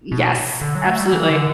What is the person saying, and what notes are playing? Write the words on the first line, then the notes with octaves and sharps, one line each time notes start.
Yes, absolutely.
B2
D3
F#3
A3
G3
E3
D3